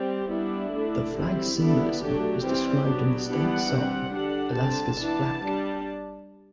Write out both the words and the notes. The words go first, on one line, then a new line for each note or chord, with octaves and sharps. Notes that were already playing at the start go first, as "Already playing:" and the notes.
The flag's symbolism is described in the state song, "Alaska's Flag".
Already playing: G3 C4 G4
G3 B3 D4 E4
D3 A3 D4
G3 C4 E4
D3 G3 B3 D4 E4
F#3 A3 D4 G4
E3 G3 C4
F#3 B3 D4
E3 G3 B3 D4 F#5
G3 C4
D3 G3 D4 F#5
D3 G3 C4 A5
E3 B3 D4
G3 D4